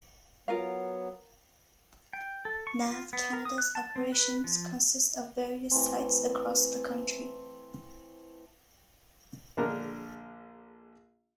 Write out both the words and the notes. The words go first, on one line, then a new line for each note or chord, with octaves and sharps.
Nav Canada's operations consist of various sites across the country.
F#3 B3 F4 A#4 F5
G5
A4
C#6
F4
B3
A#4
D#6
F#6
A5
C4
B4
F3
E3 A3 C4
A#1 D3 G#3 D4 A#4